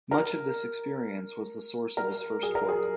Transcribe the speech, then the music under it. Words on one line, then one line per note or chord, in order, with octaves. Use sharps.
Much of this experience was the source of his first book.
A#4
A#4
G#4
A#4
G#4